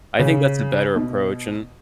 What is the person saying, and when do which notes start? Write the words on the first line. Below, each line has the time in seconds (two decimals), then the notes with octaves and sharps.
I think that's a better approach, and
0.19 C#3
0.96 B2